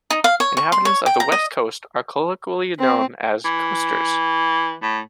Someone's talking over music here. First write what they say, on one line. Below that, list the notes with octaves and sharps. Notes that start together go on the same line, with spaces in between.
Inhabitants of the West Coast are colloquially known as "Coasters".
D#4
F5
C#5
C#6
C6
C#5
G5
A#5
D#5
C4
E3
A2